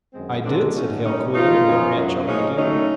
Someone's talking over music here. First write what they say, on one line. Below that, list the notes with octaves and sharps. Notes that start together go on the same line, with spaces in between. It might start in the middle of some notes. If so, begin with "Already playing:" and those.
"I did," said Hale coolly, and the old man chuckled again.
F#2 D#3 G#3 C4
F#2 D#3 G#3 C4 D4
G2 D3 F#3 A3 C#4 D#4
A#2 G3 C#4 D#4
G#2 F3 A3 D#4 F4
F#2 C#3 F3 G#3
F#2 C#3 F#3
A2 F3 G#3 C#4 D#4
A#2 F#3 A3 C#4 D#4